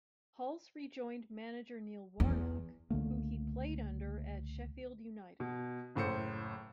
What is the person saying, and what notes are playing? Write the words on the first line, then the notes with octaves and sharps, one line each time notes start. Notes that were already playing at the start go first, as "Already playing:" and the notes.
Hulse rejoined manager Neil Warnock who he played under at Sheffield United.
E2
C#2 D3 A3 A#3
B2
F#1 A2 C5 C#7